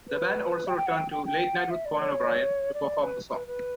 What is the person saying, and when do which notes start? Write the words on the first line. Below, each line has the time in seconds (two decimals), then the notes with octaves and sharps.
The band also returned to "Late Night with Conan O'Brien" to perform the song.
0.08 B4
0.67 G5
0.77 G5
0.86 F#5
0.96 G5
1.11 G5
1.26 G5
1.56 F#5
1.70 E5
1.85 D5
2.00 C#5
2.74 D5
3.03 B4
3.32 B4
3.47 B4